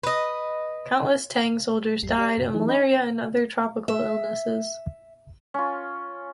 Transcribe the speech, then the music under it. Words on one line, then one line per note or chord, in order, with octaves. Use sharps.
Countless Tang soldiers died of malaria and other tropical illnesses.
B4 D#5
A1 F2 G3 C7
G4 D5
F#2 C3
E3 F#3 D#4 G#4
D4 D#5 B5
E5
C#4 F4